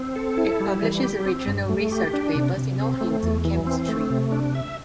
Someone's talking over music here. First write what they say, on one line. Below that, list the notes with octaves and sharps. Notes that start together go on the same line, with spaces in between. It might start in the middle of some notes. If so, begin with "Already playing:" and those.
It publishes original research papers in all fields of chemistry.
Already playing: C4
A4
E4
G3
E3
G4
C4
G2
A3
G4
D4
C3
C3
C4
A3
E2
E3
C4
A3
C3
D4
E5